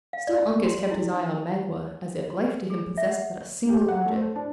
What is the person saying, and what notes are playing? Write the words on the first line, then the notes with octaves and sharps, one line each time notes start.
Still Uncas kept his eye on Magua, as if life to him possessed but a single object.
F5
D5
C6
C6
E4
D#4
C6
G#4
E5
F#5
G4
F#5
A3
C5
D4